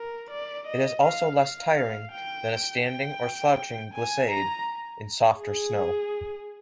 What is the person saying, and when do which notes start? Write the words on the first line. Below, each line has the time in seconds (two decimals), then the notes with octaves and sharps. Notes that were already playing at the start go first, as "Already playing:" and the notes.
It is also less tiring than a standing or crouching glissade in softer snow.
Already playing: A#4
0.30 D5
0.67 D#5
1.04 F5
1.40 F5
2.12 G5
2.84 G5
3.94 G#5
4.30 A#5
5.39 G#4